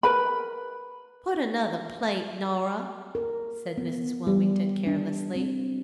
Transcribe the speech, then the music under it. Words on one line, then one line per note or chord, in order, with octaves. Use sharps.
"Put another plate, Norah," said Mrs. Wilmington carelessly.
A#4 B4 B5
A#4
B3
G3
D4
C4